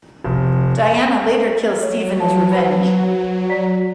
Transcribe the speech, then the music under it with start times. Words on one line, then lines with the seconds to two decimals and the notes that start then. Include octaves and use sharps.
Diana later kills Stephen as revenge.
0.24 F1
1.80 F#3 A4 C#5
2.20 F#4 A5
2.51 B4 C5 B5
3.49 D5 A#5 B6